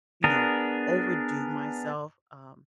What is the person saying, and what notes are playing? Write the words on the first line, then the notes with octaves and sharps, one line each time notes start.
you know, overdo myself, um,
B3 D4 G#4 A#4